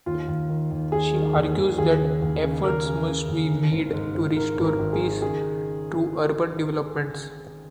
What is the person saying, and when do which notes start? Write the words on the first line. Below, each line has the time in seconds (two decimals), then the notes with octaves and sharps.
She argues that efforts must be made to restore peace through urban developments.
0.06 D#2 F4
0.28 D#2
0.49 D#3
0.71 D#2
0.92 D#2 G#4
1.14 D#3
1.35 D#2
1.56 D#2
1.78 D#2 G#4
2.00 C#3
2.22 D#2
2.43 C#3
2.64 D#2 A#4
2.86 C#3
3.07 C#3
3.28 D#2
3.50 D#3
3.72 G#1
3.93 G#2
4.15 G#2
4.36 D#3 A#4
4.57 G#1
4.65 A#4
4.79 G#1
4.93 G#4
5.00 D#3
5.22 C#3 G#4